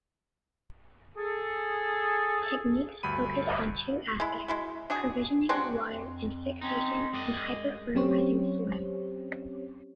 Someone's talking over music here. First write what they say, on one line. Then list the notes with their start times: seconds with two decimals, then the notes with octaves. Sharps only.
Techniques focus on two aspects: provisioning of water, and fixation and hyper-fertilizing soil.
1.17 G#4 A4
3.03 D2 G2 B5 D#7
4.20 G#3 E4
4.48 G#3 E4 F#4
4.90 D4 F#4 G#4
5.49 G#3 C4 D4 F#4
5.88 F2
6.61 C4 C#4 D#4
7.13 F#2 G#3 D5 D#5
7.95 F#3 C4 C#4 G4 C5 C#5